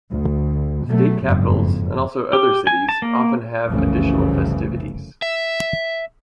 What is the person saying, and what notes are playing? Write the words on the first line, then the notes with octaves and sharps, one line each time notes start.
State capitals and also other cities often have additional festivities.
D2
B2 F#3 A3
F#1 F2 G#2
G4
G#5
A5
A#3
F1 C2 F#2 C#3 E3 A3
E5